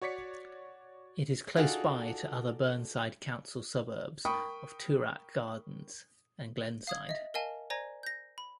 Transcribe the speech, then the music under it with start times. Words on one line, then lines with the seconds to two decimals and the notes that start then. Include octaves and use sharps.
It is close by to other Burnside council suburbs of Toorak Gardens and Glenside.
0.02 F#4 C#5 D5 B6 C#7
1.56 D4 D#4 F4 F#4 G#4 A4
4.25 A#4 G5 B5 C#6 D#6
6.87 F5 D#6 G#6
7.09 D#5 E5
7.34 A#4 D#5 F5 G#5 A5
7.70 C5 D5 G#5 A#5 G#6 A#6
8.03 G6 A#6
8.38 B5